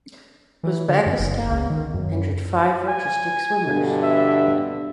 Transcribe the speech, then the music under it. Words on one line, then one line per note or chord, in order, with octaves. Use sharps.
Uzbekistan entered five artistic swimmers.
E3
D3
F#2
F#1
C#2
D#3
F#2
G#5
G2 B2 D3
E5